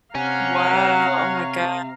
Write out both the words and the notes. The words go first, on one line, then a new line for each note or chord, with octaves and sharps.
Wow, oh my gosh.
C3 C#5 F5 F#5 G#5 A#5